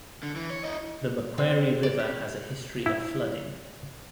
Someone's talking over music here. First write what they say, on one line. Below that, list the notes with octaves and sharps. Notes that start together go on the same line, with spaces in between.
The Macquarie River has a history of flooding.
D3
E3
C#5
E4 D#5
C4
D5
G4
E4